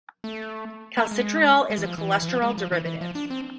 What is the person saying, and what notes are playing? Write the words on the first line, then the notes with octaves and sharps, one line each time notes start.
Calcitriol is a cholesterol derivative.
A3
A3
G#3
G#3
E3
F3
E3
E3
F3
G#3
F3
E3
E3
F3
D4
C4